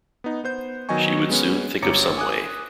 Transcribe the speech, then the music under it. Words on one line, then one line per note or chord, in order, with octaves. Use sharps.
She would soon think of some way.
B3 D#4
B3 C5 G6
D#3 F#3 B3 D#5 G#5 C#6
G#3 B3 C#4
G1 C#5 A#5 D6 C#7
G#5 D6 D#6 F#6